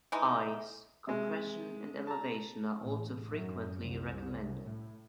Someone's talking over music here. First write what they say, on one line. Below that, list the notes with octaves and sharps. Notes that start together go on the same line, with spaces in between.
Ice, compression and elevation are also frequently recommended.
E3 G#3 D#4
C3 G#3
A5 A#5
A1
F#2
C2
A2